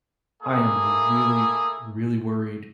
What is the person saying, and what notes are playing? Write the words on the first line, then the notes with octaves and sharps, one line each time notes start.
I am really, really worried
A3 A#3 E4 G#4